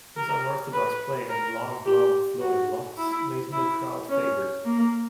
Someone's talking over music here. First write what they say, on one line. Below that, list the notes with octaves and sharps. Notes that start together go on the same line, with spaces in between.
His unorthodox play and long blonde flowing locks made him a crowd favourite.
A#4
B4
A#4
G4
F#4
E4
E4
C#4
A#3